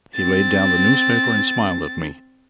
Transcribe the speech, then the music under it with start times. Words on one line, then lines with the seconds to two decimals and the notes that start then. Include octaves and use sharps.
He laid down the newspaper and smiled at me.
0.15 C4 A6